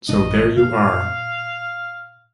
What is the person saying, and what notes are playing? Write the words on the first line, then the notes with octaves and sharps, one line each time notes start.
So there you are.
A1 A2 D4 D#5
A#2 F5